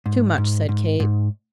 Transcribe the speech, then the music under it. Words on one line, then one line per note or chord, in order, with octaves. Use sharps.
"Too much!" said Kate.
G#2
G#2
G#2
G#2